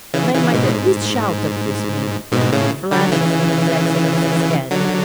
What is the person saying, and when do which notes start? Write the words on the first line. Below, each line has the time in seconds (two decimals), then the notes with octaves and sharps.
"They might at least shout at this minute!" flashed through his Excellency's head.
0.14 C#3 E3
0.34 C#3 E3
0.53 G#2 B2
0.67 A2
0.74 G#2
2.32 G#2 B2
2.52 A2 C#3
2.91 D3 F#3
3.12 C#3 E3
4.71 D3 F#3